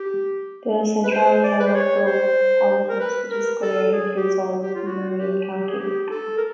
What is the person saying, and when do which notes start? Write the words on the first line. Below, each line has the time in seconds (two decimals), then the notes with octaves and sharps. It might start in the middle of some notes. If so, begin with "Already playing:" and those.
The Centralia Micropolitan Statistical Area includes all of Marion County.
Already playing: G4
1.04 B4
1.12 C5
1.44 D5
1.60 B4
1.67 C5
1.75 C#5
2.06 C5
2.89 A#4
3.00 B4
3.31 A#4
3.62 A4
3.93 G#4
4.17 G4
4.63 G4
4.75 F4
4.86 F#4
5.17 G4
5.49 G4
5.69 G#4
5.80 G4
6.11 A4
6.37 A#4